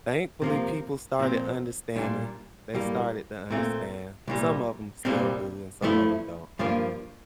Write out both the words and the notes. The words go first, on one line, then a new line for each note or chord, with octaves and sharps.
thankfully, people started understanding. They started to understand. Some of 'em still do and some of 'em don't though.
C3 F3 A#3
A#2 F3 C4
A#2 G3 D4 F4
A2 G3 A#3
A#2 A3 C4 F4
C2 A#2 G3
C2 A#2 G3 C4
G2 F3 A3 E4
G2 F3 A#3 F4